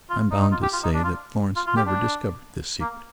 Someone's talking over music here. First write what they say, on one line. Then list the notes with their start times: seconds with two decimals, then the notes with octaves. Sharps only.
I am bound to say that Florence never discovered this secret.
0.10 F4
0.31 D#4
0.42 D#4
0.52 F4
0.63 G4
0.73 F4
0.84 D#4
0.94 D4
1.04 F4
1.56 F4
1.67 F4
1.77 G4
1.87 D4
2.81 A#3